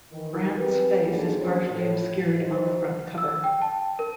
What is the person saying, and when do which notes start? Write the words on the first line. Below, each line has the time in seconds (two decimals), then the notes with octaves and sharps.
Brant's face is partially obscured on the front cover.
0.12 D#3 E3 A#4
0.58 C4 G4 G#4 B4
1.09 G#2 D3 F3 A#3 G#4
1.38 C#4 D4 F#4 A#4 C5
1.71 A2
2.37 D#3 F#3 D#4 E4 C5
3.18 E6
3.44 G5
3.62 A5
3.99 A#4